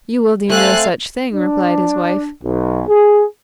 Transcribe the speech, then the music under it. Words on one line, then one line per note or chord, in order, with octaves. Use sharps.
'You will do no such thing,' replied his wife.
A3 C4 A4 F5 G#5 F#6
D4
B1
G#4